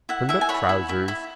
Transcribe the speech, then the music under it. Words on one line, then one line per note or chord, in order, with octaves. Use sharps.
Turnedup trousers.
E4 F#5
E4 E5 G#5
G#5
C#5 F#5 B5
E4
E4
E4